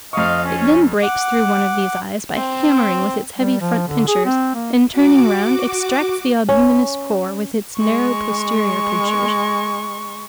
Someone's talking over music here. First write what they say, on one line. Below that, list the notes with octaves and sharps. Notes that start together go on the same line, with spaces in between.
It then breaks through one of these eyes by hammering with its heavy front pincers, and turning round, extracts the albuminous core with its narrow posterior pincers.
F2 D#5 F5 C#6
C#4
F#5 D6
C4
G3
F3
D3
G#4
C4
A#3
F#4 D6
C#4
G#3 C#6